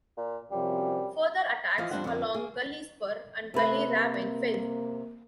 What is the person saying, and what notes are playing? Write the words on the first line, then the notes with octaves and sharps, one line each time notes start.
Further attacks along Gully Spur and Gully Ravine failed.
A#2
F#2 C3 F3 G3
E3 F3 D#5 F5
F2 G3 D4 F4 C5 F#5
F2 D3 D5
A#3 G#4
C3 A3 B4
A#3